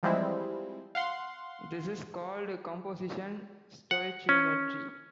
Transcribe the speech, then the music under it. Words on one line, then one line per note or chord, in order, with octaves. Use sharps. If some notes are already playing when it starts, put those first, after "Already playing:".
This is called "composition stoichiometry".
E3 F3 G3 G#3 C4 E4
F5 F#5 C6
F#5
C#4